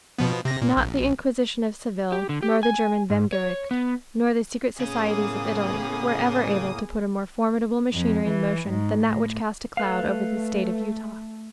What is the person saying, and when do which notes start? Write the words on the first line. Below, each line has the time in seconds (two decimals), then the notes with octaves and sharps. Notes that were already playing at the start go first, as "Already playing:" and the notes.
Not the Inquisition of Seville, nor the German Vehm-gericht, nor the Secret Societies of Italy, were ever able to put a more formidable machinery in motion than that which cast a cloud over the State of Utah.
0.19 B2 F3 B3
0.45 C3 A#6
0.62 A#2
0.77 A#1
2.12 G4
2.29 D3
2.43 G4
2.63 G#5
3.10 G#2
3.33 C#5
3.71 B3
4.80 A2 C#3 A#3 B3 C#4 G#4 D#6
7.93 F2
8.28 E3
8.70 G#2
9.05 A2
9.77 A3 A4 B4 F5